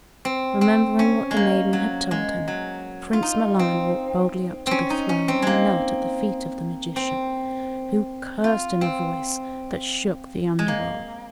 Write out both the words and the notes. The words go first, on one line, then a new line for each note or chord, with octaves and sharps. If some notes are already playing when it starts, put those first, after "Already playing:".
Remembering what the maiden had told him, Prince Milan walked boldly up to the throne and knelt at the feet of the magician, who cursed in a voice that shook the Underworld.
C4
C4
C#4
G#3
A#3
F#3
G#3
F#3
F4
D#4
C4
C4 C#4
D#4
C#4
C4
G#3 A#3
C4
F4
C4
G#3
A#3